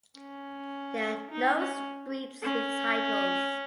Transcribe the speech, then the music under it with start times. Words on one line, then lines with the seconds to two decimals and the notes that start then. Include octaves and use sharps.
There are no streets with titles.
0.19 C#4
1.31 D#4
1.58 C#4
2.43 C#4